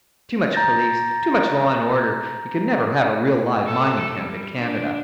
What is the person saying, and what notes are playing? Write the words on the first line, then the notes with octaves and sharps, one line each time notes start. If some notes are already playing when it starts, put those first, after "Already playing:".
"Too much police--too much law and order; you can never have a real live mining-camp in Canada."
A#5 G6 A6 A#6
A4
G3
D4